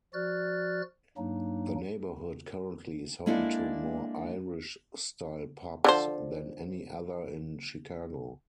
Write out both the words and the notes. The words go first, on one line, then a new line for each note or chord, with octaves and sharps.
The neighborhood currently is home to more Irish-style pubs than any other in Chicago.
F3 F#4 D5 F6 F#6 A6
G2 F#3 A#3 D4 D#4
G#3 A#3 D4 E4 A4 D5
D3 F3 C5